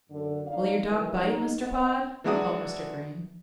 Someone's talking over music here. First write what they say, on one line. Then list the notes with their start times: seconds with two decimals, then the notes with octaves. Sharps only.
"Will your dog bite, Mr. Pod?" called Mr. Green.
0.10 F#2 D3
0.47 C4 D4 D#4 D5 F5
0.88 D2 C3 D#3 E3
1.22 G#2 G#3 D#4
1.61 B4 C5 D#5 F#5
2.24 E3 F#3 G#3 D4 F#4 D#6